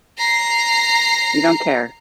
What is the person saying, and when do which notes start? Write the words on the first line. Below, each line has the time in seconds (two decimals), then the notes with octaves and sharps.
You don't care.
0.17 A#5 C7